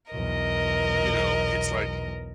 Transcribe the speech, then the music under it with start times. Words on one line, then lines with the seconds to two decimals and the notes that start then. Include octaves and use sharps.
you know, it's, like,
0.12 B1 E2 A#4 D#5